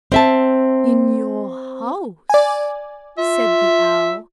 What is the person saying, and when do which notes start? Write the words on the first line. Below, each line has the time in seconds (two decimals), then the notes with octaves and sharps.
"In your house," said the Owl.
0.12 C4 E5 A5
2.30 D5 G#5
3.18 F4 E5